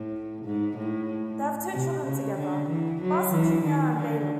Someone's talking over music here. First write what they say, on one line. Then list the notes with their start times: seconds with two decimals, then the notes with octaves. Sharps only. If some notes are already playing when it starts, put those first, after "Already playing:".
They have two children together, Bracey Junior and Bailey.
Already playing: A2
0.45 G#2
0.77 A2
1.73 C3
2.04 C#3
2.37 D3
2.68 E3
3.01 F#3
3.32 E3
3.65 D#3
3.96 D3